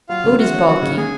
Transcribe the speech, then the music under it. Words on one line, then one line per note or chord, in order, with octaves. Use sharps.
Food is bulky.
F#3 F4 F5
C#3
A3 F#4 F#5
C#4
F#3 F#4 F#5
C#3
G#3 G#4 G#5